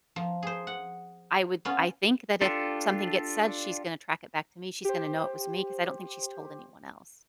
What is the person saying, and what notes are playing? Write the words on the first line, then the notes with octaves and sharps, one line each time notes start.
I would I think that if something gets said, she's gonna track it back to me, she's gonna know it was me 'cause I don't think she's told anyone else.
F3
G#4 C5
F#5
B3 C#4 F4
D4 F4 G4 A4
G4 C5